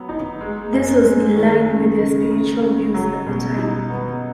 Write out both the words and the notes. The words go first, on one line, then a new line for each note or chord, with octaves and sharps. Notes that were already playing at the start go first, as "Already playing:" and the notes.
This was in line with their spiritual views at the time.
Already playing: F#3 B3
D#4
G#3
F#2
G#3
D#3
C#3
C#3
C#3
C#3
F#3
B2
D#4
B3